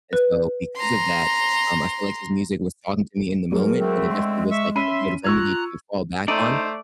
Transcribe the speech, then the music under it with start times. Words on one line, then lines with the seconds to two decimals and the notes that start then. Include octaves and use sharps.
and so because of that, um, I feel like his music was talking to me in the moment and it definitely was like a good remedy to fall back on,
0.13 B4
0.76 A#5 C6
3.52 F#3 G#3 A#4
3.79 D3 A3 C4
4.10 G#3 C6
4.51 E5 C#6 E6
4.75 C#4 E5 B5 C6 D#7
5.24 F4 A#5 C#6 E6 F#6 G#6
6.28 A3 D#4 C5 D5